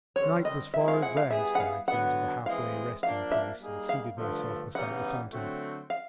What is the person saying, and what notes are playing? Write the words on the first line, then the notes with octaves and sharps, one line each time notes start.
Night was far advanced when I came to the halfway resting-place and seated myself beside the fountain.
F#2 D3 G3 C4 C#5
D#5
F3 G#3 C4 E4 G#4 E5
F5
F#5
F5
G3 B3 E4 G#4 E5
F#5
F5
D3 F#3 B3 F#5
E3 G#3 C4 E4 G#4 F5
F3 A#3 D4 F5
E5
G3 A#3 D#4 G#4
F5
G2 D3 F3 A3
C#3 E3 G3 B3 D#4 F#5
D3 F#3 A3 C4
F5